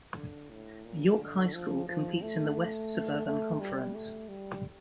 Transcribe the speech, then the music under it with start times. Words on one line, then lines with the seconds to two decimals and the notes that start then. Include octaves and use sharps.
York High School competes in the West Suburban Conference.
0.16 D3
0.50 A2
0.85 A#2
1.19 D3
1.53 F3
1.89 F3
2.22 A3
3.26 A3
3.60 G3
3.95 A3
4.29 G3